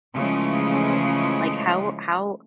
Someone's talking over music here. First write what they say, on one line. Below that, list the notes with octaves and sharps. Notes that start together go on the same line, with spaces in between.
Like, how how
C#3 E3 F3 G#3 A3 C#4